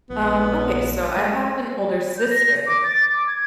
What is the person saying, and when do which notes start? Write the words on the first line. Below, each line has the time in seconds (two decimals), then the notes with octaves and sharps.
Um, okay, so I have an older sister,
0.10 A#1 B3
1.16 G#3 A#3
2.18 G6
2.30 A#6
2.66 D6
2.84 A6
3.13 D6
3.27 G#6